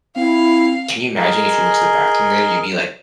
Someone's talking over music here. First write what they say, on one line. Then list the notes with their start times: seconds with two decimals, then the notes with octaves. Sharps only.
can you imagine if you went to the bathroom there, you'd be, like,
0.16 C4 E4 F5
1.16 G#4 A#4 D#5 G#5